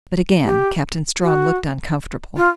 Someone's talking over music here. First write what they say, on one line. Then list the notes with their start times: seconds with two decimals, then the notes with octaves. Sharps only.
But again Captain Strawn looked uncomfortable.
0.45 G4
1.22 F#4
2.37 F4